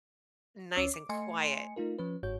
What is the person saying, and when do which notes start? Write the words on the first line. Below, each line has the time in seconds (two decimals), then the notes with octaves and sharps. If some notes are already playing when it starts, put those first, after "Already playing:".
nice and quiet
0.75 D2 C#4 C#5 D6 E6 C7
0.94 D6
1.09 A3 D#5 G#5 C6 C#7
1.76 A3 D#4 F4 A#4
1.98 F3 C#4 B4
2.23 G1 G#2 F#4 C#5 G6